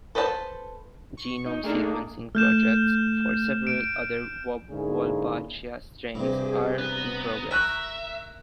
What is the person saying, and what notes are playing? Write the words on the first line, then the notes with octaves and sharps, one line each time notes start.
Genome sequencing projects for several other "Wolbachia" strains are in progress.
A4 B4 C5 D#5 A5
C#6
D#4
A3 A#3 D4 D#4 G#4
A3 F6 G6 E7
D7
G#2 D3 A#3 C#4 E4 G#4
G2 C3 G4 G#4
B3 A#5
A#4 E5 C#6 F#6 D#7